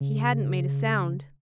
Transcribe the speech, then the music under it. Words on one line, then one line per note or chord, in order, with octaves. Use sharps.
He hadn't made a sound.
C#3